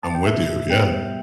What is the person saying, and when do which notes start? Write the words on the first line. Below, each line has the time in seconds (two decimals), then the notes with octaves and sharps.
I'm with you, yeah.
0.03 A5
0.15 G5
0.26 B2 E5
0.70 G3 B3 G5